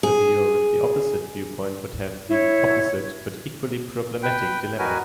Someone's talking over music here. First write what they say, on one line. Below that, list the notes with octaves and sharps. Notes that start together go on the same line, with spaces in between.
A viewer with the opposite viewpoint would have the opposite but equally problematic dilemma.
G#4
E4 C#5
B4 G5
D#4 F#4 A#4 B4 G#5